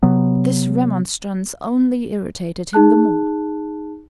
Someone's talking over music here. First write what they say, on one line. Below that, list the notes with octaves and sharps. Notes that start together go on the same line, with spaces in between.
This remonstrance only irritated him the more.
C3 F#3 B3
D#4 G#4 A5 F#6